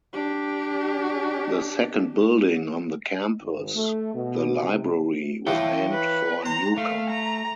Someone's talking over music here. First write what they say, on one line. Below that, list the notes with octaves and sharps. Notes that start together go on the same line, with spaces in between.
The second building on the campus, the library, was named for Newcomb.
D4 G4
G#1
A3
B2
C3
E3 F3 C#5 G5
B4
C5 A#5
A3 F5
A#5